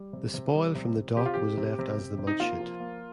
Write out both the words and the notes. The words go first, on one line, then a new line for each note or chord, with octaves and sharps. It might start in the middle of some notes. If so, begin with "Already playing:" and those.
The spoil from the dock was left as the Mudchute.
Already playing: G3
C3
C3
G3
C3
C3
C3 G4
F4
C3 G4
C3
C3
C3
C3
D#4
A#3 F4
F3
A#3